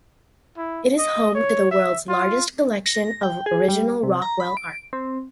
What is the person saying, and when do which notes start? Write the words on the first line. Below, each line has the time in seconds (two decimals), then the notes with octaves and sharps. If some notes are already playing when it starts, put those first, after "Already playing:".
It is home to the world's largest collection of original Rockwell art.
0.57 E4
0.98 D#5
1.35 C#5
1.71 E5
2.08 F4
2.86 A#6
3.23 G5
3.46 G#4
3.69 G3
4.03 C3
4.22 A#5
4.40 B5
4.57 D7
4.93 C4